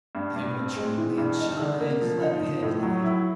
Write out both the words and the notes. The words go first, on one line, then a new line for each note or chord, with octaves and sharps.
Every train lamp shines like a head-light.
G2
G2
C4
G#3
E3
G2
D#4
D3
A#3
F3
D#4
F3
A2
F#3
E4